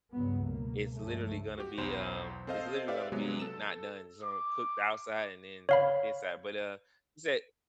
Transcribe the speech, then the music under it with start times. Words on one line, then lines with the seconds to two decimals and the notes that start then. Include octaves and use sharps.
it's literally gonna be, um, it's literally gonna be not done. It's gonna cook the outside and then inside. But, uh, she said
0.13 C#2 G2 F#3 B3
0.45 B2 A#3
0.95 C#2 G2 C#3 F3 A3
1.58 F#4 G4
1.78 B1 E2 C5 C6 E7
2.47 C4 A4 C5 D#5 F5
2.88 G4 B4 D5 E5 F5
3.12 C3 F#3 G#3 B3
3.40 A4 E7
4.23 D6
5.69 C#5 F5 B5